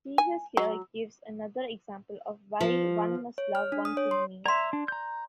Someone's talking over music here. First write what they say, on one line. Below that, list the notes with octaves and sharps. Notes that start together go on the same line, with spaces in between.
Jesus here gives another example of why one must love one's enemies.
G#5
F#3
F3
C#5
F6
D4
D#6
C#5
C6
D5 E5 A#5 C6
D4
A#5 G6